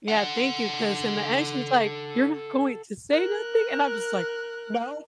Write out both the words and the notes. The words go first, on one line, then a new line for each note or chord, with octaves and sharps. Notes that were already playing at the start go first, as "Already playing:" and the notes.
Yeah, thank you, 'cause in the end, she's like, "You're not going to say nothing?" And I'm just like, "No."
A4 F#5
A#4 F#6